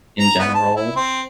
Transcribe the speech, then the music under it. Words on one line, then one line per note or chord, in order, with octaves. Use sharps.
in general.
A#5
B3
A5
E4
C4